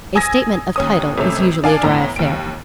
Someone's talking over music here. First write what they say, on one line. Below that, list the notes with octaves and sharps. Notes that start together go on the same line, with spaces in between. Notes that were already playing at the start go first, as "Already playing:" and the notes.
A 'statement of title' is usually a dry affair.
G#5 D#6 E6 G#6 A#6
D#2 C#4 D#6
G#1 C3 A3 C#4 E6
D4 F5 G#5
E2 A2 A#5
D#2 D7